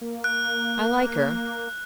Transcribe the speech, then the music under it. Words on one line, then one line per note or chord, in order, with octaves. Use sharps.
I like her.
A#3
F#6